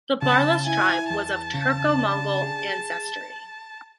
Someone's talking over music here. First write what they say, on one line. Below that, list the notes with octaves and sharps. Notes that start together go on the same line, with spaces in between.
The Barlas tribe was of Turco-Mongol ancestry.
C#3 A5
E4 G#5
E2 A5
C#3
D4
G#4